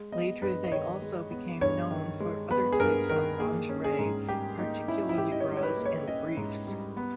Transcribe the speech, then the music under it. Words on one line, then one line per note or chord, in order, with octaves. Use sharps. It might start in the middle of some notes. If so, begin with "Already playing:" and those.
Later they also became known for other types of lingerie, particularly bras and briefs.
Already playing: G#3
B3 D#5
G2 B4
D#5
D#3 C#5
G#3
B3
G2 C#5
D#3
G#3
B3 B4
G#4
G2 A#4
D#3 A#4
A#3 G#4
C#4
G#4
G#2
G3 G4
A#3 D#4
C#4 E4
E4
G#2 G4
D#5
C#5
G3
C#5
B4
A#3
C#5
C#4 D#5
G#2
G3
B3